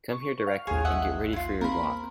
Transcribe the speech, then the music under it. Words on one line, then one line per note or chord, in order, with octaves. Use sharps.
Come here directly, and get ready for your walk!
C#6
F5
A1 D#2 G#4 C#5
D#5 E5 F#5
E4 F4
A#3 C4 A#4 B5